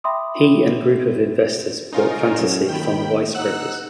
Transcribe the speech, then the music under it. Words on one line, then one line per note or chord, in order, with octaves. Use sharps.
He and a group of investors bought Fantasy from the Weiss brothers.
E5 G5 B5 C6 D6 D#6
C#2 C#4 D#4 F4 A#4
F#2
D#2 D#3 G5 B5
D#4 F#5 E6 F#6